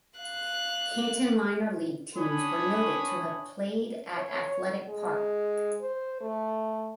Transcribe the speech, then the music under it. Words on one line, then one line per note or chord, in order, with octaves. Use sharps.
Canton minor league teams were noted to have played at Athletic Park.
F5 F#6
D4 C#5 G#5 B5 D#6
C#5
G#3
C5
A3